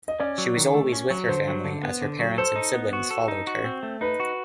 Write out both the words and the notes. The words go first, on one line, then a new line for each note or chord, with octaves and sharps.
She was always with her family as her parents and siblings followed her.
D#5
C#4 D5
F#3
D#3
A3
C#4
F#3
D3 C5
F#3
D3
B3
D3
F#3
A4 C5
D#4
B3
F#4
A4
D#4
F#4
C4
A3
D#4 B4
F#4